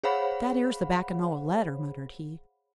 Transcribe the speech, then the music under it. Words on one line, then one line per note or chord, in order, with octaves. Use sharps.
"That ere's the backin' o' a letter," muttered he.
G#4 C5 C#5 F5 F#5 B5